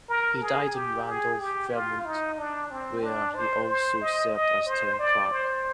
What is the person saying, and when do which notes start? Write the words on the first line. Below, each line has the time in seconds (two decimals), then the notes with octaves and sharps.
He died in Randolph, Vermont, where he also served as town clerk.
0.09 A#4
0.41 G#4
0.74 G4
1.06 G#4
1.39 G4
1.72 F4
2.05 D#4
2.38 D4
2.71 C4
3.03 D4
3.35 C5
3.68 C5
4.01 D#5
4.33 D#5
4.66 C5
4.99 D5
5.31 C5